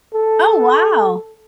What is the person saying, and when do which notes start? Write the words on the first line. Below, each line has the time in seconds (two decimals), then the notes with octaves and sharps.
Oh, wow.
0.14 A4